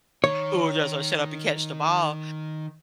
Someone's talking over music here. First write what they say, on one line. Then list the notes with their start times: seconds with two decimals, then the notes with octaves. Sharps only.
who are just, like, "Shut up and catch the ball,"
0.24 D#3 C#5